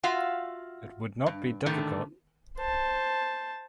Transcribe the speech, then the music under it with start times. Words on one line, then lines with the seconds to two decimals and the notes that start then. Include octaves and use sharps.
It would not be difficult.
0.03 F4 F#4 E5 F5
1.26 G2
1.66 A2 D3 D#3 A3
2.58 C5 A5